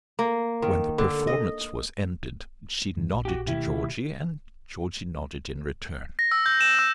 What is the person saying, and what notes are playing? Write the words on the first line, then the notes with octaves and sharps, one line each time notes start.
When the performance was ended she nodded to Georgie, and Georgie nodded in return.
A#3
D#3
D3
D#5
G2 D#3
A#1
F#4 G4
B2 D#3 A3 E4 G4
A#6
E6
G6
E7
E6